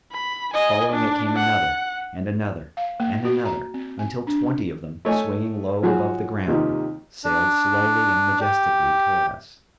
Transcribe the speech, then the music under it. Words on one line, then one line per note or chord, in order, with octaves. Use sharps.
Following it came another, and another, and another, until twenty of them, swinging low above the ground, sailed slowly and majestically toward us.
B5
D#5 G#5
D4
F#5
F5
A#3
F#4
A#5
C4
G#5
D4
A3 C#5 D#5 G#5
F3 F#3 F#4 G#4
D#2 C3 D#3 F3 D#4
D4
G4